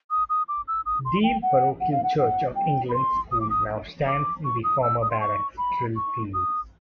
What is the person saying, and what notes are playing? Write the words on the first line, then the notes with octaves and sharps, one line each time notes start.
Deal Parochial Church of England School now stands in the former barracks' Drill Fields.
D#6
D#6
D6
E6
D#6
C6
G5
F#5
F#5
F5
F#5
F#5
G5
B5
C6
D#6
D6
D#6
D6
C#6
D#6
E6
D#6
C6
C#6
B5
C#6
D#6